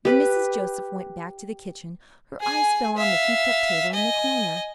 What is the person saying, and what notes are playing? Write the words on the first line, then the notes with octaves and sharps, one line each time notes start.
When Mrs. Joseph went back to the kitchen her eyes fell on the heaped-up table in the corner.
G4 B4
G#4 G#5
E5 F5
D#5 G#5